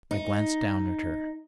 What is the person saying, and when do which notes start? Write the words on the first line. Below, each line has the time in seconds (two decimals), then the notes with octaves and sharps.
I glanced down at her.
0.11 D#4